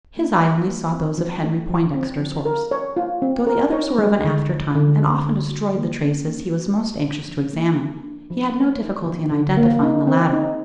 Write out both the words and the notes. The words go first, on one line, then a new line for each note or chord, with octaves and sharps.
His eye only sought those of Henry Poindexter's horse. Though the others were of an after time, and often destroyed the traces he was most anxious to examine, he had no difficulty in identifying the latter.
A#3
G4
A#3
C4
F3
A3
F3
C4
F3
A#4
C#5
F4
C4
A#4
C#5
G#3
D3
F3
D3
G#3
D3
F#4
A#3
C#4
A#3
F#4
A#3
D4
F3
A#3
F3
D4
F3
A#3
D#4
F3
D3
A#3
D#4
C4
D#4